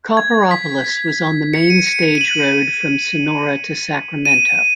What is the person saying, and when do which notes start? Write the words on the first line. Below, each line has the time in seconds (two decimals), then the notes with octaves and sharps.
Copperopolis was on the main stage road from Sonora to Sacramento.
0.17 G#6
0.51 B6
0.85 B6
1.53 C#7
1.70 D#7
1.87 C#7
2.05 C#7
2.15 D#7
2.21 F#7
4.25 D#7